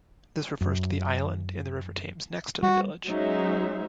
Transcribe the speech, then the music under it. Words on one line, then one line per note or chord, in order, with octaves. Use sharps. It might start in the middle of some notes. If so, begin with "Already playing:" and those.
This refers to the island in the River Thames next to the village.
F#2
G3 F#4
F#3 G#3 C#4 D#4 C5 E5